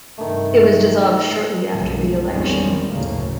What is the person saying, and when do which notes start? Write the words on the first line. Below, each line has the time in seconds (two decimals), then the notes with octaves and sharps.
It was dissolved shortly after the election.
0.18 G2 C3 D#3 A3
1.72 B1 F#2 C#3 G#3 A3
2.28 G#1 E2 D#3 G3 C4 C#4
2.87 F#1 D2 A2 C#3 A3 A#3